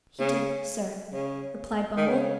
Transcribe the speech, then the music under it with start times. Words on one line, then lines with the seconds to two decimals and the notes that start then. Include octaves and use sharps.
'He did, sir,' replied Bumble.
0.19 C#3
1.12 C#3
1.97 D#3
2.07 C#3